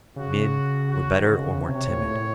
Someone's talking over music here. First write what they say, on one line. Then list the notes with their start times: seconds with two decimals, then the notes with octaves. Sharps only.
Men were better, or more timid.
0.16 C#3 F#4
0.90 F#4
1.18 D#3
1.26 C#3
1.38 C#3
1.50 C#3
1.63 C3 C#5
1.75 C3
1.87 A2
1.94 A#2
1.99 A2